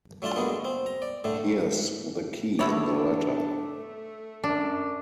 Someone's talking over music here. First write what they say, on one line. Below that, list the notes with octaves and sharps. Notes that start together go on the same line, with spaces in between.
Here's the key in the letter.
F#3 A3 D4 F4 A5
D3 F#3 G#3 A#3 B3
C4
A#5
D5
A2 D3 A3
B2 A3 D4 E4 C#5
F#2 D4